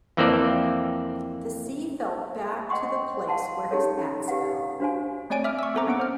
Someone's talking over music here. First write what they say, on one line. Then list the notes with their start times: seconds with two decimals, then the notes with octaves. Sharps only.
The sea fell back to the place where his axe fell.
0.17 F2 E3 A#3 C4 A4 D5
2.69 D#5 F#5 G5 C6 C#6 D#6
3.28 F5 F#5 A5 C6
3.71 C#4 D#4 G4 A4 C#5
4.28 G4 B4 F5 F#5
4.80 D4 F#4 C5 F5 G#5
5.30 A3 C4 C#5 D5 G#5 D7
5.44 E5 D6 F6
5.59 C#6 E6
5.75 B3 C4 A4 C5 A#5 D6
5.87 A#3 B3 C#4 F#5 D7
5.99 C5 F6